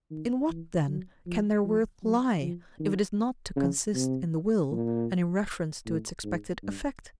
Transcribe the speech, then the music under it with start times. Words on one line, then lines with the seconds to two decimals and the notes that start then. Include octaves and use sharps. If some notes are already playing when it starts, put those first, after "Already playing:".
In what, then, can their worth lie, if it is not to consist in the will and in reference to its expected effect?
0.10 D#3
0.49 E3
0.88 F#3
1.26 F3
1.65 F3
2.03 F#3
2.41 F3
2.79 D#3
3.56 C#3
3.95 C3
4.71 A#2
5.86 A2
6.24 G#2
6.63 G2